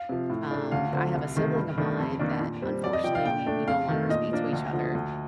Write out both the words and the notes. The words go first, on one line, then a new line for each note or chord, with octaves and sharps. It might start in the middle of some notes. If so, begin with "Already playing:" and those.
Um, I have a sibling of mine that, unfortunately, we we no longer speak to each other,
Already playing: F5
C3 F3
A2
A3 D4
D2 F5
D3 F3 C4
C2
C3 D#3 A3
G2
D#3 A3 D4
F2
D#3 A#3 D4
A#2
G3 C4
F2 D5
D#5
C3 F3 G5
F5
A#2 G5
A3 D4
F2 F5
D#3 A3
A#2 D#5
F3 A#3 D4
D2
D3 F3
D2